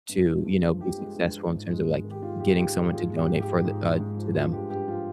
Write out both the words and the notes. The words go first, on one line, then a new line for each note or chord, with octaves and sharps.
to, you know, be successful in terms of, like, getting someone to donate for the uh, to them.
G2
G#3
G2
F3
G2 G4
G#3
G2
F3
G#2
G#3
G#2
D#3
G4
G#2 F4
G#3 G4
G#2 G4
D#3 G4
G#2 F4 G#4
G#3
G4
G#2
G4
F3
G#2
G#3
G#2
F3
G2 F4
G#3 G4
G2 G4
F3 F4